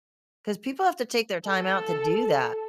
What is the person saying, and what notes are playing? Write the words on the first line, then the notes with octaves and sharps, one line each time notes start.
'cause people have to take their time out to do that,
A4